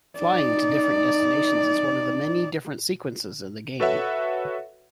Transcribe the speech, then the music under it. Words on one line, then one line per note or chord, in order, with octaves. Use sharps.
Flying to different destinations is one of the many different sequences in the game.
D#4 D5
F#4 A4 B4 C#5 E5 F#5